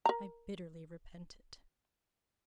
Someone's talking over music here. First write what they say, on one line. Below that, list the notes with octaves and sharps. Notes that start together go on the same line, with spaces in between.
I bitterly repent it.'
A#4 A#5